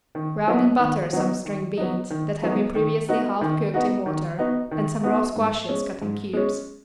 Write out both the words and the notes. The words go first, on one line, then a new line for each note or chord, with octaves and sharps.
Brown in butter some string beans, that have been previously half cooked in water and some raw squashes cut in cubes.
D#3
F#3 B3 D#4
D#3
F#3 B3 D#4
D#3
F#3 B3 D#4
D#3
F#3 B3 D#4
D#3
B3 D#4 F#4
D#3
B3 D#4 F#4
D#3
B3 D#4 F#4
D#3
B3 D#4 F#4
G#2
G#3 C#4
G#2
G#3 C#4